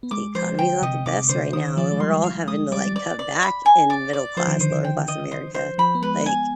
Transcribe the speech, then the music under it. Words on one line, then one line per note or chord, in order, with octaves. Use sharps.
The economy's not the best right now and we're all having to, like, cut back in middle-class, lower-class America, like,
B3
G#3 D6
F3 C5
D3 G5
C3 D#5
C3 D6
D3 C5
D#3 D#6
F3 D5
G#3
G3 C6
F3 F5
G#3 D#6
G3 D5
D5
D5
B5
G#5
D5
D5
F3 C5
D#3
D3 C5
D#3
G5
D#5
C5
C5
F3 B5
B3
G#3 B4
B3 G#5